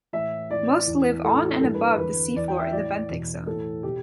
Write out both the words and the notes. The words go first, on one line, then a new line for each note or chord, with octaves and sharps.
Most live on and above the seafloor in the benthic zone.
A2 E3 E5
A2 E3 D5
E2 E3
A2 E3 A4
G2 E3 A4
B4
B4
E2 D3 B4
E2 E3 D5
G5
E5
A2 E3 D5
E2 B2
A2 E3 A4
B2 G4